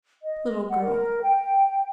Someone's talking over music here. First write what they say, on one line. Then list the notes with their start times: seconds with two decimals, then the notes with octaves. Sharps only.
Little girl.
0.22 D#5
0.68 F#5
0.82 A#4
1.22 G5